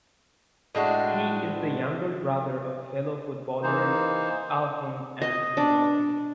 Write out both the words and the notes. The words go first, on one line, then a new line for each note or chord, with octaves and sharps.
He is the younger brother of fellow footballers Alfons and Timothy.
A2 G#3 D4 F#4
E3 A#3 D#4 C5
D#5
D4